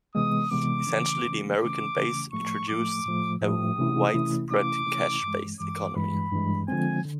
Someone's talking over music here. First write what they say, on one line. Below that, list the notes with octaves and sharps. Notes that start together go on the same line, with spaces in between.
Essentially, the American base introduced a widespread cash-based economy.
C3 E3 G#3 B3 D#6
C3 E3 G#3 B3 D6
C#3 E3 A3 C#4
C#3 E3 A3 C#4
C#3 E3 A3 C#4 D6
C#3 E3 A3 C#4
A2 F3 A3 C#6
A2 F3 A3 D6
A2 F3 A3
A2 F3 A3 D#6
C3 E3 A3 C#4 E4
C3 E3 A3 C#4 E4
C3 E3 A3 C#4 E4 D6
C3 E3 A3 C#4 E4
G2 E3 G#3
G2 E3 G#3 D6
G2 E3 G#3 B5
G2 E3 G#3
D3 F3 G#3 C4 G#5
D3